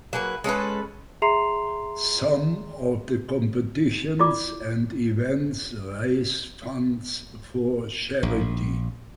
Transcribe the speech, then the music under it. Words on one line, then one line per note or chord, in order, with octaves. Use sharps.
Some of the competitions and events raise funds for charity.
F#3 A#3 G#4 B4
G#3 C#4 A4 B4
G#4 E5 A#5 C6 C7 F7
E4 F4 D5 D6
A#1